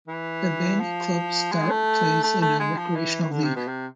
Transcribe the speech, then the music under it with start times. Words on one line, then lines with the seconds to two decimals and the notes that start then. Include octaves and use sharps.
The bandy club Start plays in a recreational league.
0.07 E3
0.80 F3
1.52 G#3
1.70 A3
2.23 A3
2.42 A3
2.60 G#3
2.77 F3
2.96 E3
3.21 E3
3.31 D3
3.44 C3
3.56 B2
3.67 C3